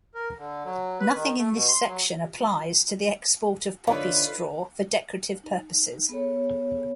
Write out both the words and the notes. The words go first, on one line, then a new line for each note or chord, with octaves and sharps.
Nothing in this section applies to the export of poppy straw for decorative purposes.
A#4
D3
F#3
B4
D#3
A3
B2
C6
F#3
D3 D#4 F4 B4 C#5 D5
D#4
B3 G#4 A4 C#5